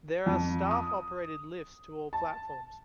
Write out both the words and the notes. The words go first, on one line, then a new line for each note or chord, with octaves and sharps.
There are staff-operated lifts to all platforms.
F2
D#6
A5